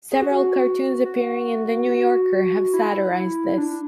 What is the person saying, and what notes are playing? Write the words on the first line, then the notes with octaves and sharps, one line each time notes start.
Several cartoons appearing in "The New Yorker" have satirized this.
G#4
F#4
F#4
F#4
E4
D4